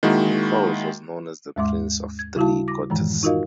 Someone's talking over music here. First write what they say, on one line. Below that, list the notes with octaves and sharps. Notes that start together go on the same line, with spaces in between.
Nicholls was known as the "Prince of Threequarters".
D#3 G#3 A#3 E4 F#4
D#2 G#2 G#3 E5 C6 D6
G#6
C#3 G3 E4 F#4 F5 A5
D6 A#6
F#2 A2 D#3 E3 G#3
D#4 F4 F#4 A#4 D#5 F5